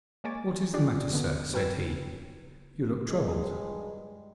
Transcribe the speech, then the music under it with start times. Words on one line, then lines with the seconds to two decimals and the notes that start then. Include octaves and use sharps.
'What is the matter, sir, said he, 'you look troubled?'
0.24 G#3 A#3 C#5 G#5 D6 A6
0.49 G3
0.74 D4 F4 G4 G#4 D5
1.13 B2 D3 B3
1.53 G2 F#3 B4 G5 E6 G#6
1.77 C#3
3.07 G2 G#3